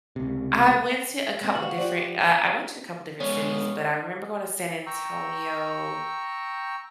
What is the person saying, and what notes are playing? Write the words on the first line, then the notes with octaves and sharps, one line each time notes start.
I went to a couple different, uh, I went to a couple different cities, but I remember going to San Antonio.
C#2 C3
G#3 C4
D2 E3 F#4 F5
F3 G4 C5 D5
G#3 B3 C#4
G5 A#5 C#6 E6